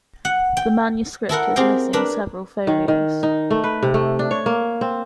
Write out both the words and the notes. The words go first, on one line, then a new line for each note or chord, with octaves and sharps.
The manuscript is missing several folios.
F#5
G5
E4 A4 A#4 F#5
C4 G4 G#4 A#4 G5
D4 A#4 B4
D#3
D#3
D#4
A3
B4
C3
A3
D4
C#5
A#3
C4